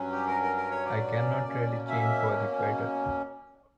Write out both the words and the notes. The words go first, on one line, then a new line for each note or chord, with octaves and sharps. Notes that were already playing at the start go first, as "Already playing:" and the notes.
I cannot really change for the better.
Already playing: G2 F#3 C#4
G4
A#4
A#4
A#4
C#5
D5
B2 A#3 C#4
E5